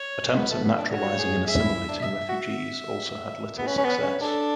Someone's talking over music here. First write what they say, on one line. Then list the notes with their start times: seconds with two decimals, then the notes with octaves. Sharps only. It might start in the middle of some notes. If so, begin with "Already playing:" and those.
Attempts at naturalizing and assimilating refugees also had little success.
Already playing: C#5
0.37 B3 B4
0.51 A3
0.64 B3
0.78 D4
0.92 F#4 C#5
1.19 G#4
1.46 G#4 E5
1.60 E4
1.74 E4
1.88 D4
2.01 E5
2.29 F#4
3.58 B3
3.67 C#4 B4
3.77 C#4
3.84 B3
4.03 C#4
4.21 D4 A4